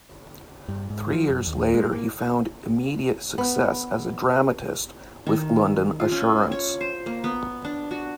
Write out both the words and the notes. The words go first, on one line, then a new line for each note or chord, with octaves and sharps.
Three years later he found immediate success as a dramatist with "London Assurance".
G2
G#2
F3
F#2
D#2
G#3
A#3
B3
D#3
F4
C#4
C#5
C5
A#3
B3
D4
F#4